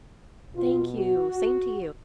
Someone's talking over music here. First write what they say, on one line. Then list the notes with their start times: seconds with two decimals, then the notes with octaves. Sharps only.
Thank you, same to you.
0.54 B2 F4
0.97 F#4